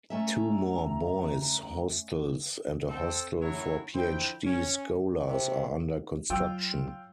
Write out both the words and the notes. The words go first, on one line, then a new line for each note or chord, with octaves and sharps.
Two more boys' hostels and a hostel for PhD scholars are under construction.
A3 C#4 E5 A#5
C4 A4
F#3 A3 C#4 E4 B4 C#5
D3 F3 E4 C5 G5
C#4
C3
F#3 F4 G5 E6